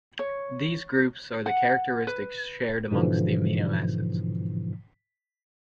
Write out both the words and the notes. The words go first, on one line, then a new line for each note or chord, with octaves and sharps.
These groups are the characteristics shared among the amino acids.
C#5
F#5
B4
G#2 B2 D3 E3 F3